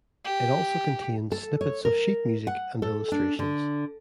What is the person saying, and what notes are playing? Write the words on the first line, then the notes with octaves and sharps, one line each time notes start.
It also contains snippets of sheet music and illustrations.
G4
A4
C#5
A#4
F#5
A4
D4
D3